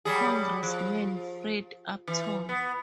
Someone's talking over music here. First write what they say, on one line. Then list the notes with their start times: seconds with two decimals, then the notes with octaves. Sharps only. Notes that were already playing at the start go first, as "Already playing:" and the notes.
Congressman Fred Upton.
0.05 F#3 G3 G#4
0.63 F3
2.08 E3
2.49 B3